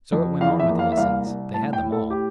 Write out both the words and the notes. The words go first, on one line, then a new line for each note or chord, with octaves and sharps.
So it went on with the lessons; they had them all.
F2
E2 F5
E5
A#3
F5
E5
C2 F5
C2
A2 A5
G5
A2
A4
G4